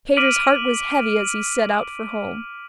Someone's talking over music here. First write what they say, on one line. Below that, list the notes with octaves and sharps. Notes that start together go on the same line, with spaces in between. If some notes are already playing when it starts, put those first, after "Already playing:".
Peter's heart was heavy as he set out for home.
D6 F6 B6 D7 D#7 F#7